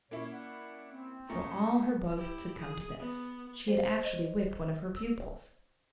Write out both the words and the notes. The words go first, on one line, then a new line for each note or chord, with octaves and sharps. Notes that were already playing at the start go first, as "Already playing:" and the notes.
So all her boasts had come to this . . . she had actually whipped one of her pupils.
A#2 A#3 C#4 E4 C#5
D5 F#5
C4
A#2 A3 C#4 D#5 A#5 C#6
E4 G4
G#4
B3
C5
D#5
E6